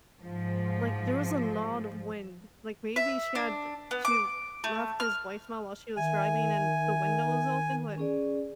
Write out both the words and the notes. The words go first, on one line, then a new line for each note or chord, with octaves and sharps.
like, there was a lot of wind, like, maybe she had she left this voicemail while she was driving and the window was open, like,
G#2 F3
E5
D4
B3
D6
A3
F6
D#3 E5 G#5
C#4 G#4 D5